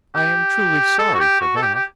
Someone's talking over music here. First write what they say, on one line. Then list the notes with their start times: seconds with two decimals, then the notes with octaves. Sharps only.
"I am truly sorry for that."
0.15 G4
0.99 A4
1.14 F#4
1.20 G4
1.41 F#4
1.56 A4
1.62 G4
1.75 G4